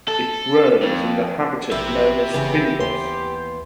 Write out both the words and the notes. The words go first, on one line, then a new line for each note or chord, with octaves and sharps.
It grows in the habitat known as fynbos.
A4
F2
A#1 E4 G4 E5
F#1 C#3 E3 B3
D#2 C6